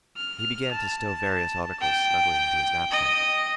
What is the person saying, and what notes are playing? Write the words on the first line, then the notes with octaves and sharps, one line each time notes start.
He began to stow various articles snugly into his knapsack.
F6
A5
G5
D#5